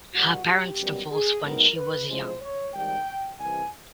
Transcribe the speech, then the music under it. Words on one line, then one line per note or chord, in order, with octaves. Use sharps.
Her parents divorced when she was young.
A#1 A#2 G3 F#4
G4
F#2 D#3 G3 B3
G#4
G#2 D#3 F#3 B3 D#4 A#4
B4
A1 A2 F3 G#3 C#4 C5
C#5
G#1 G#2 D#3 G3 G5
C2 C3 E3 G#5